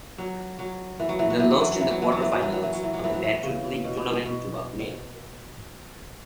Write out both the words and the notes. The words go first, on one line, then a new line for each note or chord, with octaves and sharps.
They lost in the quarterfinals of the Patriot League Tournament to Bucknell.
F#3
F#3
E3
F#3
E3
F#3
E3
F#3
E3
F#3
E3
F#3
E3
F#3
E3
F#3
E3
F#3
E3
F#3
E3
F#3
E3
F#3
E3
C#3
B2
B2